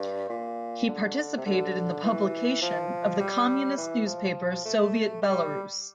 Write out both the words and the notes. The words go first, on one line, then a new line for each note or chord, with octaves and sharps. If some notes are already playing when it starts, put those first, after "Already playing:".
He participated in the publication of the communist newspaper "Soviet Belarus".
Already playing: G2
A#2
D3
C3
D3
E3
F3
G3
E3
F3
A3
G3